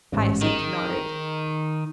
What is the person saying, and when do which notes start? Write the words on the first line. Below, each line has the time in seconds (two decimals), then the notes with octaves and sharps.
Hyacinth nodded.
0.12 A1 G#2
0.41 D#3 D#4 G#4 D#5